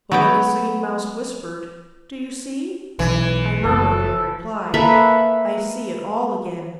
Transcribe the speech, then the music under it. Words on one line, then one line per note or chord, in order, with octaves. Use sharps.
But when the Singing Mouse whispered, "Do you see?" I murmured in reply, "I see it all again!"
F#3 B3 G5
B1 E3
F#1 A4
A#3 A4 B4 E5